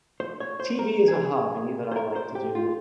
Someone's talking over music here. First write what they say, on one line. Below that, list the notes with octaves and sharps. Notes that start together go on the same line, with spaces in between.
TV is a hobby that I like to do.
C5
C#5
C5
A#4
G#4
C5
A#4
C5
G4
F4